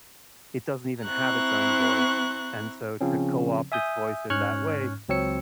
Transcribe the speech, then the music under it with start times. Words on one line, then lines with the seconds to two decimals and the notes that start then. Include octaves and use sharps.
it doesn't even have its own voice, and so to co-opt its voice in that way
1.05 C4 E4 A#5 C#6 F#6
3.01 C#3 F3 C4 C#4
3.72 E5 G#5 D#6 G6
4.30 G#2 C#4 C#6 F6 F#6 G#6
5.09 C#2 F#3 C4 C#5 E6 C#7